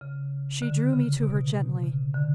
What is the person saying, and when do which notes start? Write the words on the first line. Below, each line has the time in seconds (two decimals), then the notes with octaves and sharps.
She drew me to her gently.
0.01 C#3
0.62 D3
0.93 C#3
1.23 B2
1.54 B2
1.84 C#3
2.14 D3